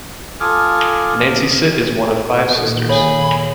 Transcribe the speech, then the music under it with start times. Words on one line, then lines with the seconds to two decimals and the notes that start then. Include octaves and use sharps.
Nancy Sit is one of five sisters.
0.40 F4 A4 G#5 D6 D#6 F6
2.56 A#2 D#3 A4
2.90 G#4 A4 C#5 F5 B5